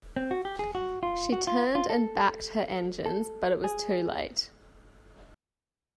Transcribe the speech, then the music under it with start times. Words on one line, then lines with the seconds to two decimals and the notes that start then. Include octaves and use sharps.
She turned and backed her engines, but it was too late.
0.16 C4
0.31 F#4
0.45 G4
0.59 G#4
0.75 F#4
1.03 F4
1.32 F#4
1.47 F4
1.75 F4
1.90 A4
3.06 A4
3.64 G#4